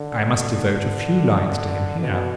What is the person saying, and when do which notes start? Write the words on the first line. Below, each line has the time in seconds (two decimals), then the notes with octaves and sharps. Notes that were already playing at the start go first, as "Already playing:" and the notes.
I must devote a few lines to him here.
Already playing: D3
2.00 B2